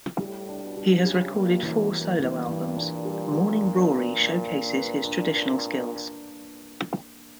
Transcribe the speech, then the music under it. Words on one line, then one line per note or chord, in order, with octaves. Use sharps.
He has recorded four solo albums: "Morning Rory" showcases his traditional skills.
A2 G3
D4
B2
G3
C#3 G3
G2 A#3
F#2 E3
F#2 A#3
G2 E3
G2 E3
A#2 D4
G3
G3
D4
B4
A#3
D4
B4
D4
B4